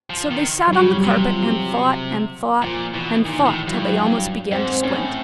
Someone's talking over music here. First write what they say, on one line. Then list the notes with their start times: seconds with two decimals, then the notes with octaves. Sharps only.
So they sat on the carpet, and thought and thought and thought till they almost began to squint.
0.10 F3
0.31 D#3
0.67 F#3
0.73 C#3 G3
0.94 G3
1.04 C3
1.15 F#3
1.28 F3
1.41 F#3
2.62 A#2 F3
2.94 B2 E3
3.25 A#2 D#3
3.46 A2 E3
3.67 G2 F#3
3.88 F#3
4.51 G#2 C4
4.72 C4
4.83 A2 C#4